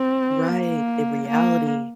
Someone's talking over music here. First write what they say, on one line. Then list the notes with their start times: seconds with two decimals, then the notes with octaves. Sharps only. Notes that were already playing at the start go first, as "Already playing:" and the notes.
Right. The reality
Already playing: C4
0.48 A#3
1.27 A#3